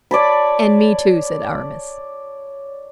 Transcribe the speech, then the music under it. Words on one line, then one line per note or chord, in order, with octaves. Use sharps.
"And me, too!" said Aramis.
C#5 D5 A5 B5